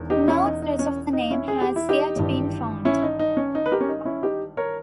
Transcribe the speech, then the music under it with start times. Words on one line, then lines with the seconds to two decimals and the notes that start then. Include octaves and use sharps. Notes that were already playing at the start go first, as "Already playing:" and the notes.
No trace of the name has yet been found.
Already playing: E1 E2 D#3
0.10 D#4 G4
0.28 C#4 E4
0.45 D#4
0.62 D#4
0.79 C#4
1.13 D#4
1.30 C#4 E4
1.48 G#4
1.61 G4
1.76 E4
1.89 D#4 G4
2.16 G#1 G2 E3
2.85 C#4 E4
3.02 D#4
3.19 D#4
3.37 C#4
3.55 D#4
3.66 B4
3.71 G4 A#4
3.81 C#4
3.89 D#4
4.05 C#4 E4
4.23 D#4 G4
4.57 A#4 C#5